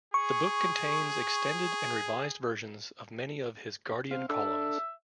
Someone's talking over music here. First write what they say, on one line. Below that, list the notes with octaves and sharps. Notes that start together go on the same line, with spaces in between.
The book contains extended and revised versions of many of his "Guardian" columns.
G#4 C#6
C4 F5
D4 A4 E5